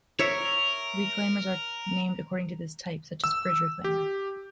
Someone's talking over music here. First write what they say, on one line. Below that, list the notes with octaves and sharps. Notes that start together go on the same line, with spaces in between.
Reclaimers are named according to this type, such as "Bridge reclaimer".
A#4 C#5 E5
E6
G4